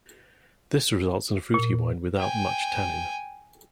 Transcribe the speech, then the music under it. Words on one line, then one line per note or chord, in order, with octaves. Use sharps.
This results in a fruity wine without much tannin.
A#2
G5 G#5